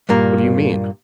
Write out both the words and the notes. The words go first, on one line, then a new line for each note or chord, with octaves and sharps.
What do you mean?
G2 A#2 A#3